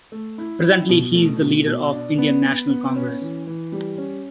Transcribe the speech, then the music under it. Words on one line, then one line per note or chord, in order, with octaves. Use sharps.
Presently he is the leader of Indian National Congress.
A3
E4
E4
B2
A3
B2
B2
D4
B3
B3
B3
C#4
E3
E3
G3
C#4